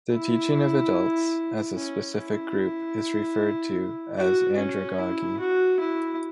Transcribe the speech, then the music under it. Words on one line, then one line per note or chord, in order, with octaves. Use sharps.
The teaching of adults, as a specific group, is referred to as andragogy.
E4
C#4
E4
F#4
C#4
E4
F#4
E4